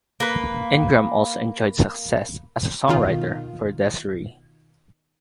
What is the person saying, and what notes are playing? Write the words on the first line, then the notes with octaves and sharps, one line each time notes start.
Ingram also enjoyed success as a songwriter for Des'ree.
A#3 B4
B2 D#3 F4